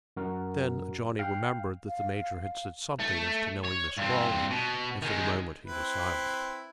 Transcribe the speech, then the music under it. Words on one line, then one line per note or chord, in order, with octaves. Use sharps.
Then Johnny remembered that the major had said something as to knowing Miss Crawley, and for the moment he was silent.
F#2 F#4 A#4
F5 G5
F5
A3
C#5
G2 C4
B2
D#3 G#3
C4 E4 B4